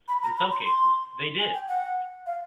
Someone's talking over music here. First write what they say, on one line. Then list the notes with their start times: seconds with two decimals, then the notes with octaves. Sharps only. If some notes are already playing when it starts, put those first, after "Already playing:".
In some cases, they did!
0.08 B5
0.23 A#5
0.37 B5
0.51 C6
0.66 C6
1.39 G#5
1.54 G5
1.68 F#5
2.26 F5